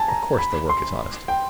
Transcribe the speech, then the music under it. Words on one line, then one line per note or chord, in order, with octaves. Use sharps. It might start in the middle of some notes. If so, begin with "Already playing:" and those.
Of course, their work is honest!
Already playing: G#5 A5
A#5
B5
C6
G5